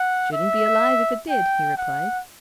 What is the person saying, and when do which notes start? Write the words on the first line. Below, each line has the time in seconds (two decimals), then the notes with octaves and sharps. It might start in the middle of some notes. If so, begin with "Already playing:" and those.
"Shouldn't be alive if it did," he replied.
Already playing: F#5
0.33 E5
1.30 G5
1.77 F#5